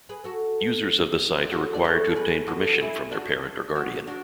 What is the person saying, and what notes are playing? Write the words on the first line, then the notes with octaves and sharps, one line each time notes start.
Users of the site are required to obtain permission from their parent or guardian.
G#4 B4
F#4 A4
F#4 A4
D5
A4 C#5
A4
G#4 B4
F#4 A4
E4 G#4
D4 F#4
D4 F#4
D4 F#4